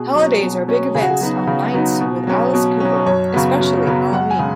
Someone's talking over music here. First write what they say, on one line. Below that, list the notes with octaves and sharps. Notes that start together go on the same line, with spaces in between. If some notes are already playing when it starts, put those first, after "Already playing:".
Holidays are big events on "Nights with Alice Cooper", especially Halloween.
Already playing: B2 G#4
F#3 C#4
B2
F#3 C#4
C#3 G#4
F#4
G#4
F#3 B3 D#4
C#3
F#3 B3 D#4
B2
F#3 C#4
B2
F#3 C#4
F#2 C#5
C#3 F#3 B3
F#2
C#3 F#3 B3
F#2 F#5
G#5
C#3 G#3